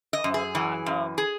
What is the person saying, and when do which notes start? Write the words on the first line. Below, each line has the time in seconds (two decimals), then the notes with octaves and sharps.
the whole thought of,
0.13 D#5
0.24 F#2
0.34 G#4
0.55 E3
0.86 F#2
1.18 G#4